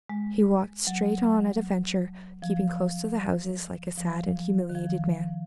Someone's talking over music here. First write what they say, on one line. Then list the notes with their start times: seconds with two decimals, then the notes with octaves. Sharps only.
He walked straight on at a venture, keeping close to the houses like a sad and humiliated man.
0.10 G#3
0.87 F#3
2.42 F3
3.98 F3
4.36 F3
4.69 D#3
4.75 F3